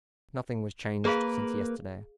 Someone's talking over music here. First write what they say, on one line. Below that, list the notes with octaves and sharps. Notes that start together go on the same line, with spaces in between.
Nothing was changed since yesterday.
A#3 G#4 A#4 B4 F5